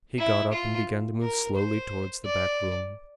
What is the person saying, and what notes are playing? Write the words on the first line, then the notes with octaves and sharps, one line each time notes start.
He got up and began to move slowly towards the back room.
E4
F4
A#4
C5
D5